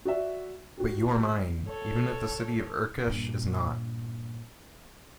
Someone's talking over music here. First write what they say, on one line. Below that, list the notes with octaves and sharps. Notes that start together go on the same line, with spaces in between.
But you are mine, even if the city of Urkesh is not.
F#4 D5 E5
F#4 G4
A4 C#5
G2 A#2